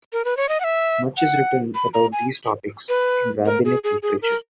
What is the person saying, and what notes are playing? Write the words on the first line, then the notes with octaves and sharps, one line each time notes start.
Much is written about these topics in rabbinic literature.
A#4
B4
C#5
D#5
F#5
E5
F#5
B5
A#5
G#5
B4
A#4
G#4
G#4
G#4
A#4